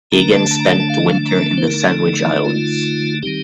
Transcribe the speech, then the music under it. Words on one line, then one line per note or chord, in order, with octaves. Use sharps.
He again spent the winter in the Sandwich Islands.
D3 A3 D4 A#5
A5
A5
A#5
A5
A5
F5
D#5
F5
A#5
A5
C5
D3 A3 D#4 A#4
F4
D#3 G3 C4 D#4 G4